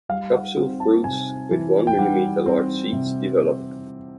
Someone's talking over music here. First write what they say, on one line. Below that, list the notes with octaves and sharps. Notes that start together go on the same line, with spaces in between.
Capsule fruits with one millimeter large seeds develop.
G3 F5
F#5
C4
A5
C3 G#5
E3
G5
G3 F#5
C4
C3